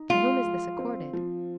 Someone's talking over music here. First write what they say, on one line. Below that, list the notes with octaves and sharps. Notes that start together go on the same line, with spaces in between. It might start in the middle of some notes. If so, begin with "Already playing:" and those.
To whom is this accorded?
Already playing: D#4
G#3 F4
F3
C4
F3